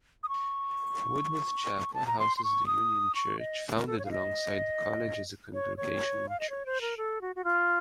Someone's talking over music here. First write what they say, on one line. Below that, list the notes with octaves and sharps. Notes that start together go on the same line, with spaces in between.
Woodworth Chapel houses the Union Church, founded alongside the college as a Congregational Church.
D#6
C#6
A5
A#5
C6
C6
C#6
D#6
C#6
D#5
A#4
A4
C#5
F5
D#5
C#5
C#5
F5
D#5
C#5
C5
A#4
A4
F#4
F#4
F4